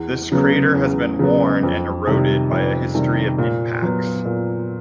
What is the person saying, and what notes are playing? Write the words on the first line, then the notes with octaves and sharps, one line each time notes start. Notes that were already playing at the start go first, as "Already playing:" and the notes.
This crater has been worn and eroded by a history of impacts.
Already playing: E2
C#3 F#3 B3
E2
C#3 F#3 B3
F2
C3 D#3 G3
F2
C3 D#3 G3
A#2
F#3 B3
A#2